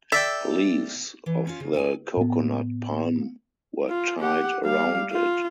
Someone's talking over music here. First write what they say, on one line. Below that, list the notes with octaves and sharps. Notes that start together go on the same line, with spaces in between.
Leaves of the coconut palm were tied around it.
A4 D5 E5 G5
E3
C#4 F4
C#3
A4 G5 G#5
A2 B3
F4
G4 F#5
G3 F5
F4